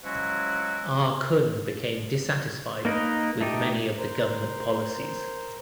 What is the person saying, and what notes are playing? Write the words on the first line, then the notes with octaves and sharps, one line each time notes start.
Ah Kun became dissatisfied with many of the government policies.
F3 F#3 G#3 C#4 E4 F#4
A#3 D#4 A#4 B4 D#5
A3 D#4 G4
A#4 C5